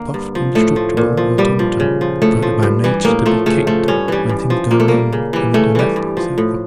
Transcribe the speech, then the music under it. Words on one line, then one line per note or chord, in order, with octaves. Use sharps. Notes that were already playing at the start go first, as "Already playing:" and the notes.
A soft, indestructible automaton provided by nature to be kicked when things go wrong in the domestic circle.
Already playing: D3 A#3
G2
F3
A2 A3
F3
A#2
F3
G2 G3
F3
C#3
F3
A2 A3
F3
G2
E3 G3
A2 A#3
F3 A3
C#3 A3
F3 A3
G2 C#4
E3 G3
G2
F3
A#2 A#3
A3
G3 A#3
C#3
E3 G3
C#3 A3
E3 G3
G2
F3
A2